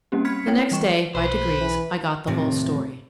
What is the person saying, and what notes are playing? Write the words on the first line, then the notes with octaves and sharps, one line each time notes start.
The next day, by degrees, I got the whole story.
G3 A#3 C4 C#4 G4
B5 F6 G#6 B6 C#7
C4 E4 C#5 G5
E3 G3 G5 C#6 E7
B1 B4 C5
E3
D#2 A2 C3 F3